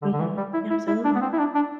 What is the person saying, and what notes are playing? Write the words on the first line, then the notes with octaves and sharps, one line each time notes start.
Mhm, absolutely.
D3
D3
E3
G3
E4
E4
E4
D4
B3
C4
E4
D4
D4